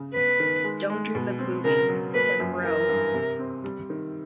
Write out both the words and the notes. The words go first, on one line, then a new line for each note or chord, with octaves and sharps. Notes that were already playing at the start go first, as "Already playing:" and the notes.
"Don't dream of moving," said Rowe.
Already playing: C#3
B3 B4
D#3
G#3
G#3
B2
C4
C#3 A#4
F#3
A#3 B4
F#2
E3 A#4
G2
C3
C4
G3
D#3